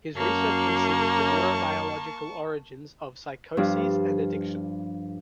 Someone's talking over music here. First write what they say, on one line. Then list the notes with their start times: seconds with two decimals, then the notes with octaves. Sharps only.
His research considers the neurobiological origins of psychoses and addiction.
0.17 F#2 A#3 A5 C#6
3.57 G2 F3 D4